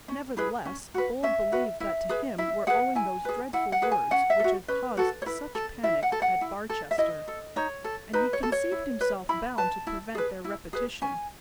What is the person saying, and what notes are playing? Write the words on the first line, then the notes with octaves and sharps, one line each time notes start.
Nevertheless Bold believed that to him were owing those dreadful words which had caused such panic at Barchester,--and he conceived himself bound to prevent their repetition.
C#4
E4 G#4 B4
C#4
F#4 B4
C#4 E5
F#4 B4
E4 E5
G#4 B4
E4 E5
G#4 B4 F#5
E4 G#5
G#4 B4
E4 F#5
F#5
G#4 B4
G#5
C#4 F#5
E5
A4
F#4
C#4 B4
F#4 A4
C#5
E4 B4
A4
E4 E5
F#5
A4
F#5
E4
A4
E5
E4 D#5
A4
D#4 C#5
A4
D#4 B4
C#5
A4
C#5
E4
B4
E4 B5
B4 A5
E4
G#4 B4
E4
G#4 B4
C#4 G#5